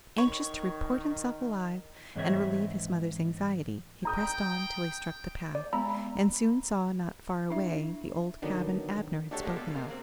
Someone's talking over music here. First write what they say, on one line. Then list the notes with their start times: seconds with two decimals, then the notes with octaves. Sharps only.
Anxious to report himself alive, and relieve his mother's anxiety, he pressed on till he struck the path, and soon saw, not far away, the old cabin Abner had spoken of.
0.18 D#3 C#5
2.15 G#2 E3 C4 C5 C#5 E5
4.05 G5 A#5 D#6 G6
5.55 D5
5.73 G#3 B3 A#5 B5
7.50 D4 E4 E5
8.42 D3 D#3 F#3 B3 D4 D#4
9.31 D4 F#4 G4 A4 C#5
9.43 G#3 A#3 G4
9.56 B2
9.73 C3 A#3
9.87 F#3 A#3 C4